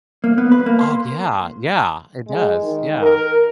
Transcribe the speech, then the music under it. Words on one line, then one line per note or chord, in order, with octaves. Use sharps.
Oh, yeah, yeah, it does, yeah.
A#3
B3
B4
A#3
C6
G#3
D#3
A#4